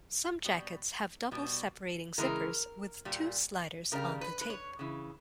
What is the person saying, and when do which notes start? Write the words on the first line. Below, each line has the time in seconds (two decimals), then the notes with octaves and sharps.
Some jackets have double-separating zippers with two sliders on the tape.
0.44 B2 G3
1.31 B2 G3
2.18 C#3 E3 G#3 A#4
3.05 A#2 G3
3.92 C#3 G3 A#4
4.21 B4
4.41 B4
4.50 C#5
4.79 C#3 E3